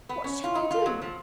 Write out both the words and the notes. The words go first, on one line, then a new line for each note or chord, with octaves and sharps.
What shall I do?
B3
C#4
F4
D#4
F4
F#3
F3